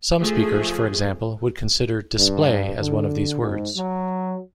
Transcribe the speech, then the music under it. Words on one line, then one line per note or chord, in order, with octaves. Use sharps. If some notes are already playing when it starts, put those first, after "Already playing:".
Some speakers, for example, would consider "display" as one of these words.
F3 A3 G#4
G2
D3
G#2
F#3